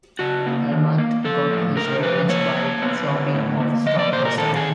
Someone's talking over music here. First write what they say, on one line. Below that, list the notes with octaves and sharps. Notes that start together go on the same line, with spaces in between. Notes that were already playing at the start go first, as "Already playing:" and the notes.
Helmut got his revenge by chopping off Strucker's hand.
C#3 F#4
A#3
D#3
A#3
F3 A4
A2
D3 A#4
F3 B4
A#3 C#5
A#3
B3
D3
A2
A#3
F3 D#5
D5
A#2 C5
A#4
D#3 A4
G#4